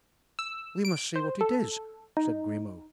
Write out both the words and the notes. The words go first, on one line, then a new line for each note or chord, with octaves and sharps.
"We must see what it is," said Grimaud.
E6
D7
C5
A4
D#4